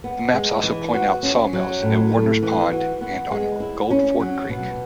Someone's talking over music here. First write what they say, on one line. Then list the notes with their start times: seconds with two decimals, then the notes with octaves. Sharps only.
The maps also point out sawmills at Warner's Pond and on Gold Fork Creek.
0.04 B3
0.34 G#3
0.63 E3
0.94 F#4
1.23 C#4
1.53 F#3
1.83 A2
2.12 A3
2.42 E3
2.72 F#4
3.01 B3
3.31 G#3
3.60 E4
3.91 C#4
4.20 F#3
4.49 B2